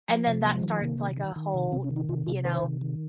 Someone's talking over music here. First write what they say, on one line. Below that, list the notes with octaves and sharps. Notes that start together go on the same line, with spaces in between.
and then that starts, like, a whole, you know,
F3
C3
F3 A#3
G#3
D#3 G3
C3 A#3
D#3
D#3
D#3
C3
C3 C4
C#4
D#3
D#4
C3 F4
C3 F4
D#3 C5
C3
D#3